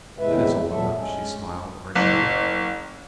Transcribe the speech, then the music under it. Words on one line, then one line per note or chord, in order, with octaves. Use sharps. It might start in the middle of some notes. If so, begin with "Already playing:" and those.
"That is old enough," she smiled, archly.
E2 A2 C3 G#3 B4 E5
A#2 F#3 A4 E5
G#3 C#4
F#1